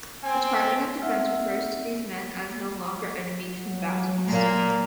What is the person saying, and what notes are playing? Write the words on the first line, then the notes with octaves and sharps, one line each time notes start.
The Department of Defense refers to these men as No Longer Enemy Combatants.
C4 G#5
C4 D#4 E5 F#5 E6 F6
F#3
A#2 A#3